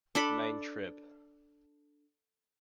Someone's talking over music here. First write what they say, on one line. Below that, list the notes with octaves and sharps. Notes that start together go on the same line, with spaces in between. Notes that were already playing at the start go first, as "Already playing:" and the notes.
The main Trib.
D4 A4 B5